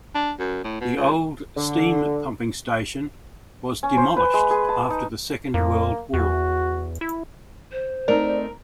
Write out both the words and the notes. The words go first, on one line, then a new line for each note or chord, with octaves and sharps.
The old steam pumping station was demolished after the Second World War.
D4
F#2
A2
B2
C#2
D3
C#4
C5
B4
G#3
G#4
A5
D#4
F2 A#3
E2 F#4
E4
C5
A3 C4 D#4 A#4 D5